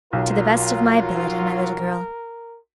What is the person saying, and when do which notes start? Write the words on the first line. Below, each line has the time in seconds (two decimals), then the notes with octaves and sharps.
"To the best of my ability, my little girl."
0.13 B1 F#3 F4 A#4